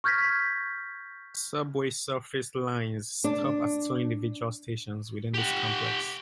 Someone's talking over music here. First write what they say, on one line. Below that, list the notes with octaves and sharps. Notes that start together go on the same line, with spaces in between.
The Subway-Surface Lines stop at two individual stations within this complex.
C#6 F6 G6 G#6 A#6 B6
D4
G4 F#5